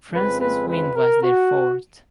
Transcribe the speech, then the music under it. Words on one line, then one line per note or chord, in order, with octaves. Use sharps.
France's win was their fourth.
F2 C#3 F3 G#3 C4 B4
B4
B4
A#4
F#4